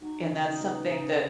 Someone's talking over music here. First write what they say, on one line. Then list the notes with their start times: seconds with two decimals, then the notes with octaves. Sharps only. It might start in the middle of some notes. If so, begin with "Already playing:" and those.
And that's something that
0.01 D#4 F#4
0.21 C#4
0.31 C#3
0.41 D#4
0.61 B3
0.90 C#3